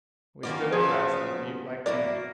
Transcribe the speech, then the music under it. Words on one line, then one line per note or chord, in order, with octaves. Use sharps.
We stood at last on a buttelike pinnacle.
F#2 D#3 A#3 B3 F4 D5
C#3 F3 F#3 G#4
E3 F#3 A#3 E4 D5